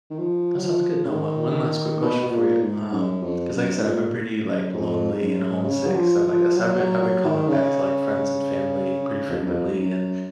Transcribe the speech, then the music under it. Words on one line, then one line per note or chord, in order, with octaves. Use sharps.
That sounds good. Now, o one last quick question for you, um 'cause, like I said, I've been pretty, like, lonely and homesick, stuff like that. So, I've been I've been calling back to, like, friends and family pretty frequently, and,
D#3
F3
F#3
F3
C#3
D#3
B2
B2
A#2
G#2
F#2
F2
F#2
G#2
A#2
F#2
F2
G#2
F#2
C#3
F#3
F3
F3
F#3
F#3
F#3
D#3
C#3
F2
F#2
F2
G#2
F#2